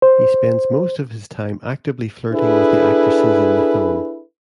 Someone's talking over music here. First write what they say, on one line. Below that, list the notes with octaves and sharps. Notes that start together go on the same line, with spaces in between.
He spends most of his time actively flirting with the actresses in the film.
C5
D4 E4 G#4 A4 B4